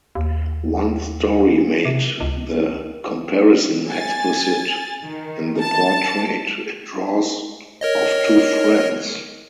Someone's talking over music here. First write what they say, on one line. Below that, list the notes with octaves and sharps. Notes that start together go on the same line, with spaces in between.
One story made the comparison explicit in the portrait it draws of two friends.
D#2
C3
C#2
G#5 A6
D#3
A5
A#4 C#5 D#5